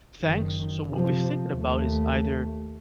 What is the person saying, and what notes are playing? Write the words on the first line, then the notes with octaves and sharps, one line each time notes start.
"Thanks." So, what we're thinking about is either
F#1 D#3
C3 F3
D#2 A3